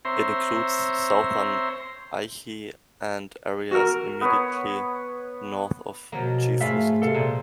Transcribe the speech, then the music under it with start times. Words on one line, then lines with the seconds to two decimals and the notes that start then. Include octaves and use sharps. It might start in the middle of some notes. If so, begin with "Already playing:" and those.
It includes southern Aichi and areas immediately north of Gifu City.
0.05 C4 C5 C#5 E5 A#5 C6
3.71 F#4 A#4
4.21 B3 B4 C#5
6.12 B2 F3 F#3 A#3
6.61 G#2 A3 F4 E5 F5 B5
7.02 C3 A4 F5
7.14 A#2 C5